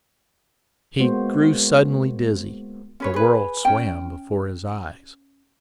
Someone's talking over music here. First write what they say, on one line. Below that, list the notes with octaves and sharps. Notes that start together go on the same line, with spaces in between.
He grew suddenly dizzy; the world swam before his eyes.
G#3 A#3 B3 F#4 C5
C#4 B4 C#5
G#4 B4
C#4 G5